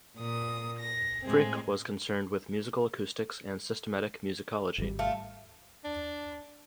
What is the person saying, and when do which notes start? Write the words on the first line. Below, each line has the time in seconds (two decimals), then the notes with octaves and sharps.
Fricke was concerned with musical acoustics and systematic musicology.
0.16 A#2 D#6
0.79 A#6
1.24 A2 G#3 C4
4.78 G#1 G3
4.99 A3 F4
5.84 D4